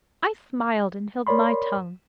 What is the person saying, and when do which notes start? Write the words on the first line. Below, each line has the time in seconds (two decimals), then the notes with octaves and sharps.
I smiled and held my tongue.
1.27 A#4 C#5 D5 B5 C6